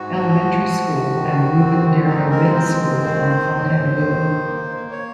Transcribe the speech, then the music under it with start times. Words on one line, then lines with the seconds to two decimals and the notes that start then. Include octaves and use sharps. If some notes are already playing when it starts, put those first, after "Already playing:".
Elementary School, and Ruben Dario Middle School are in Fontainebleau.
Already playing: G#2 F#4
0.17 F3
0.65 F3
1.13 D#3
1.60 C4
2.07 G#3 D#4
2.31 A#4
2.54 C4 C5
3.03 D#3 C5
3.49 D#2
3.97 D#3
4.45 A#3
4.91 C#5